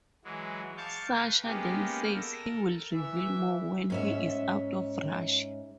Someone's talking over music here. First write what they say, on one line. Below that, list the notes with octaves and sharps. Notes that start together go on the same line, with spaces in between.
Sasha then says he will reveal more when he is out of Russia.
E3 F#3 G#3
F5 A5 C#6 D6 G6
B4
G#3 A#3 B3 C#4 G4
A4 A#4
E3 E5
G#2 C#4 E5